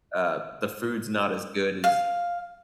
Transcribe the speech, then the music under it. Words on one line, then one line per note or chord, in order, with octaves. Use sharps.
uh, the food's not as good as"
F5